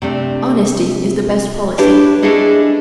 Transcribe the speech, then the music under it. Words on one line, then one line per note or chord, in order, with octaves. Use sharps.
Honesty is the Best Policy.
C3 A3 D4
D4 E4 G4 B4 C#5
C#4 D4 E4 G#4 A4 D#5